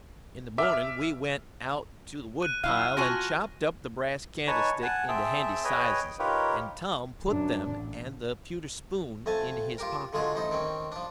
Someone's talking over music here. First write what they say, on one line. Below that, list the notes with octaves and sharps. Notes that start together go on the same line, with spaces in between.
In the morning we went out to the woodpile and chopped up the brass candlestick into handy sizes, and Tom put them and the pewter spoon in his pocket.
E5 D6 F6
F#6 D#7
F#3 E4 F5 F6
F4 F#4 G#5 A#6
D#4 B4 C#5 G#5 A5 C#6
F#5 G#5 A5
C4 G#4 E5 G5 A5
G#4 B4 C#5 D#5 G5 G#5
D#4 F4 G4 A#4 B4 C#5
F#2 D4
A1
F2 A3 G#5 A5
F4 G4 A#4
D3 F#3 G#3 F4 G#4
A1 A2 D#4 C5
D#3 C4 C#4
F3 D4